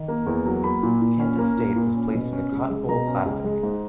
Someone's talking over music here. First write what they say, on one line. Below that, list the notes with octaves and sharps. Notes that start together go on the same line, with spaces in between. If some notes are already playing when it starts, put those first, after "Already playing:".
Kansas State was placed in the Cotton Bowl Classic.
Already playing: D#3
A#3
E2
F#3
A#3 B5
A#2
A#2
C#4
A#3
A#2
A#2
C#4
B2
C#4
C#2
G#3
B2 A#5
C#4
C#2
G#3
G#2